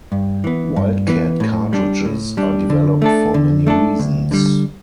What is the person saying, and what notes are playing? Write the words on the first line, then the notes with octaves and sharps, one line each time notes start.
Wildcat cartridges are developed for many reasons.
G2
E3 B3
G2
E3 B3
A2
G3 D4
A2
G3 D4
D3
A3 D4 A4
D3
A3 D4 A4
D2
D3 G3